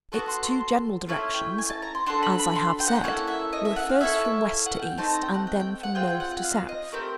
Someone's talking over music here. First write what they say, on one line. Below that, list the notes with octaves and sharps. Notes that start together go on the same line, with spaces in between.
Its two general directions, as I have said, were first from west to east, and then from north to south.
B3 D4 F#4 A4 C#6
C6
C6
A3 C#4 E4 C6
G5
G#5
A5
A#5
C6
D4 F#4 A4 C6
B5
B5
C6
G5
F#5
G5
A#3 C#4 E4 A4 F#5
E5
D#5
E5
F#5
F5
C#4 E4 A4 E5
E5
F5
F#5
G5
A3 C4 D#4 A5
A#5
G5
F#5
G5
G5
F#5
C4 F4 G#4 G5
G5
F#5
F#5
F5
D#5
A3 C4 G4 A#4